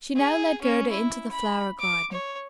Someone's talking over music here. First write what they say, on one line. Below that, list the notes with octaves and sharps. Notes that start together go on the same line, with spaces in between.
She now led Gerda into the flower-garden.
G#4
C#4
E4
B5
D6
C#5